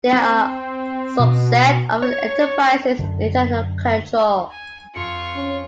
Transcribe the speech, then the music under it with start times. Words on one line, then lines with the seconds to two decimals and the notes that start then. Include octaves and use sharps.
They are a subset of an enterprise's internal control.
0.13 C4
1.19 B2
2.02 C#5
2.99 F#2 D3
4.51 G#5
4.94 F2 F4 C#6 C#7 D7
5.36 C#4